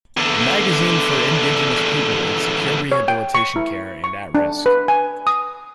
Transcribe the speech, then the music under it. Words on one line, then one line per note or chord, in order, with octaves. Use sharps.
A magazine for Indigenous people in secure rehabilitation care and at risk.
E2 D3
C#5
G5
C#6
E4
C#6
D4
B4
G#5
D#6